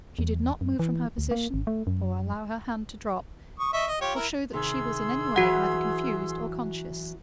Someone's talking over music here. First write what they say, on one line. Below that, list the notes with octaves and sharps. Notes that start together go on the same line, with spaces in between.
She did not move from her position, or allow her hand to drop, or show that she was in any way either confused or conscious.
E2
F#2
E3
D2
A#3
G#1
A3
F#2
C#6 D#6
D#5 E5 C#6
D#5
F4 G4 C#5
E4 A#4
C3 D#3 G#4 C6 E6
E3 F#3 F#4 F#5